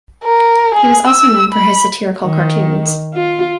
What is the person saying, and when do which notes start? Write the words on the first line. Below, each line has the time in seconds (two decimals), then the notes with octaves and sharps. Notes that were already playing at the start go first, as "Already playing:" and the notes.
He was also known for his satirical cartoons.
0.24 A#4
0.75 G#4
1.07 E6
1.53 B5
2.23 D#3
3.14 F4